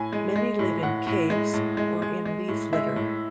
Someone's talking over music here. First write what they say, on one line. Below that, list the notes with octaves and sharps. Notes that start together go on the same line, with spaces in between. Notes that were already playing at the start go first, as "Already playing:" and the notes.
Many live in caves or in leaf litter.
Already playing: A2 G#5
G#3
G#3
A2
A2 F#5
A2
G#3
A2
G#3
G#3
G#3
A2
G#3 E5
A2